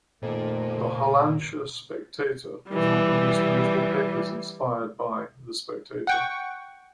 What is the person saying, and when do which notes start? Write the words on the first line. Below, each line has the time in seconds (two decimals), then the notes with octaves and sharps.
The "Hollandsche Spectator" was one of the most notable papers inspired by "The Spectator".
0.23 F2 A#2 D#3 A3
0.79 C#3
2.70 E3 G3
6.07 F#5 G5 C#6